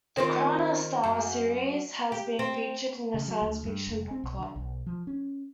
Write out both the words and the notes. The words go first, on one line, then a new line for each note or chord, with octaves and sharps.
The Crown of Stars series has been featured in the Science Fiction Book Club.
D#3 C4 F4
F#2
G4
C4
C#3
F#3
D2
G2
F1
C4
B1
D3
B1
F3
C#4